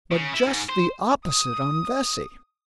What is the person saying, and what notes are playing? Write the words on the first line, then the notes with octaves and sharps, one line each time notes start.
But just the opposite on Vesey.
C#3
E4
G#2
C5
D#6